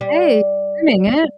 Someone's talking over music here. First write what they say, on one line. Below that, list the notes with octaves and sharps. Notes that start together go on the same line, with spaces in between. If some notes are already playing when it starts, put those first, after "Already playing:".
Right doing it.
G3